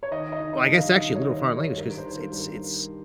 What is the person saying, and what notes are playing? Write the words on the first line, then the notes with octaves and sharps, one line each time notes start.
well, I guess actually a literal foreign language 'cause it's it's it's
C#5
D#3 D#5
D#5
D#3
D#5
G2
F5
D#3 D#5
C#5
D#3
C5
D#3
C#5
G2 A#4
C5
D#3
C5
A#4
G2
A#4